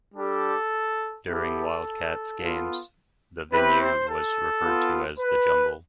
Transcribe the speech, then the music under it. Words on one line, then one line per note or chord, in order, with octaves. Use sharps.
During Wildcats games the venue was referred to as "The Jungle".
G3 D4 G4 A4
B3 E4 G4 A4
B3 F4
C4 E4 G4 B4
C5
A4
B3 F4
B4